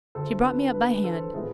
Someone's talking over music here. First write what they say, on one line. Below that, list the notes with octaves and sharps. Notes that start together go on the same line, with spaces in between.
She brought me up by hand.
D2 D3 A3 A4 C5
B4
B4
A4 C5
A2 E3 G#3 B3 F4 B4